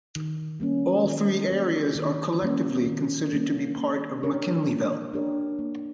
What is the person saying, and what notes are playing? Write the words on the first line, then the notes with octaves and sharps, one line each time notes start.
All three areas are collectively considered to be part of McKinleyville.
D#3
G3 A#3 C#4
D#3
G3 A#3 C#4
D#3
G3 A#3 C#4
D#3
G3 A#3 C#4
A#3
D4 G4 A#4 C#5
A#3
D4 G4 A#4 C#5
A#3